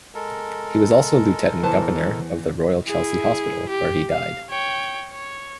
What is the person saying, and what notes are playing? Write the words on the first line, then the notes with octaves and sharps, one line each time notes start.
He was also Lieutenant Governor of the Royal Chelsea Hospital where he died.
G#3 A4 A#4
E2 B4 C5 A5
E4 G#4
G4
F5
C#5 G5
C#5